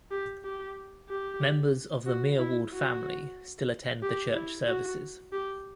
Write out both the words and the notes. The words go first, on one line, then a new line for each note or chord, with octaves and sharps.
Members of the Meerwald family still attend the church services.
G4
G4
G4
F#4
E4
F#4
G4
E4
F#4
G4